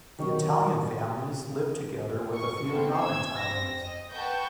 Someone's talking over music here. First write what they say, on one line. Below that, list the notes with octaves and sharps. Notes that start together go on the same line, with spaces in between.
The Italian families lived together with a few non Italians.
D#3 F#3 D#5 C#6
C#6
B3 C4 E4 A4
E6 G#6
C4 A#6
D#5
B4 F#5 G5 A5 C#6 G6